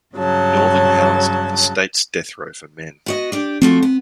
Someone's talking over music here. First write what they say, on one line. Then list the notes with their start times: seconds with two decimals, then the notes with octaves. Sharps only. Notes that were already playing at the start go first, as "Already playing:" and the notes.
Northern housed the state's death row for men.
0.15 G2 C#3 F#3 A5
3.06 B3 F#4 D#5
3.32 D4 G4
3.62 F3 A3 C4 F#4
3.83 B3